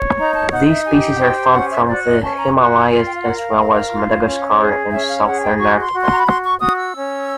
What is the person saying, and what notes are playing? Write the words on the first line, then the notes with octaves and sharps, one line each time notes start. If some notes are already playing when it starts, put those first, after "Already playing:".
These species are found from the Himalayas as well as Madagascar and Southern Africa.
Already playing: C#5
D#4 A#5
A5
D#4 F#5
E5
G4 G#5
F#5
C5 G5
C#4 F#5
E5
F#4 D5
D#5
C#4 A5
A#5
F#4
A#5
F4 G#5
G5
F5
A#4 F#5
F5
A#4
F4
C#4
G#4
C#4 E5
F5
G#4 F#5
G5
F#4 C#6
C6
F#4
C6
A#5
B5
F#4 C6
C#6
F#4 D#6
E6
C#4